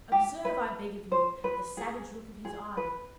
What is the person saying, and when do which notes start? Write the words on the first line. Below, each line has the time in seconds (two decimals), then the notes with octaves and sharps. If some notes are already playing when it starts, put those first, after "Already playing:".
Observe, I beg of you, the savage look of his eye.
0.12 G4
0.45 B4
1.12 C5
1.44 B4
1.77 G#4
2.45 G#4
2.77 B4